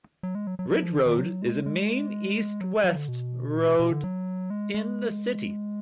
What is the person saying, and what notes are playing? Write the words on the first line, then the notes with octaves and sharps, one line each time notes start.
Ridge Road is a main east-west road in the city.
F#3
G#3
F#3
F#3
F#3
F3
D#3
D#3
F#3
G#3
G#3
F#3
F#3
D3
B2
A#2
B2
B2
D3
F#3
G#3
G#3